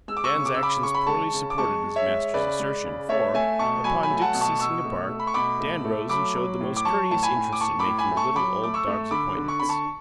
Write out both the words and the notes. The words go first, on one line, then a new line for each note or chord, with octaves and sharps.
Dan's actions poorly supported his master's assertion, for, upon Duke's ceasing to bark, Dan rose and showed the most courteous interest in making the little, old dog's acquaintance.
G#3 E6
D6
C#6 E6
C#3
D6
C#3 E6
B5 D6
C#3 C#6
B5
G#3 A5 C#6
C#3
D6
G#3 A5 C#6
G#3
C#5 E5
G#3
C#3 B4 D5
G#3
C#3
A3 C#5 E5
A3 E5 G#5
B2 A5 C#6
F#3 G#5 B5
G#5 B5
A3
G#5
F#5 A5
B2
A5 C#6
B2 C#6 E6
A3
A3
B5
C#6
B2 B5 D6
A3
A3
F#3 B5 D6
F#3
A2
D6
F#3 A5 C#6
A2 A5
G#5 B5
A2
D6
A2 A5 C#6
B5 D6
A2
G#5 B5
A3
A5 C#6
F#3 B5 D6
A3 D6
C#6 E6
A3
D3 B5 D6
D3
C#6
D3 B5
A5 C#6